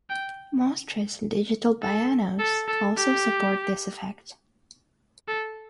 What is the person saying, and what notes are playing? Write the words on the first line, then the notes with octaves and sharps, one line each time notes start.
Most recent digital pianos also support this effect.
G5
A4
A4
A4
G4
A4